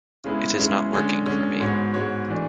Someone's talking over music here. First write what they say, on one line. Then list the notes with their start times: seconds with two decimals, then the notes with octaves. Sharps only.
It is not working for me.
0.24 C#3 G#3 B3 E4
0.58 C#3 G#3 B3 E4
0.92 D3 G#3 C#4
1.26 D3 G#3 C#4
1.60 G#2 G#3 B3 F#4 C#5
1.94 G#2 G#3 B3 F#4 C#5
2.29 E3 A3 D4